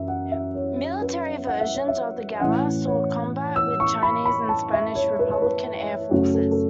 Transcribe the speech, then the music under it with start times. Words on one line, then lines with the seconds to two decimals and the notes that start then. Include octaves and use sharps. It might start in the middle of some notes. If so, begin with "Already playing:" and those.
Military versions of the Gamma saw combat with Chinese and Spanish Republican air forces.
Already playing: F#2 E3 E5
0.08 F#5
0.31 E5
0.55 C#5
1.01 B4
1.47 F#5
1.60 E5
1.75 C#5
1.88 E5
2.40 A2 E3 C#4 F#5
2.87 C#5
3.56 E6
3.80 C#6
4.03 B5
4.25 B5
4.49 A5
4.73 E5
4.95 C#5
5.19 B4
5.31 C#5
5.42 B4
6.11 F#2 C#3 A3 C#4 F#4
6.34 A4
6.51 A4